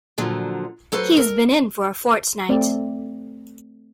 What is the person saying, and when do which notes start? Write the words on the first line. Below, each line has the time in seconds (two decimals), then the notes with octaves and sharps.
He's been in for a fortnight.
0.18 A#2 D3 F3 F#3
0.92 F#3 A4 B4 C5
1.17 A#4
2.49 A3 C4 D5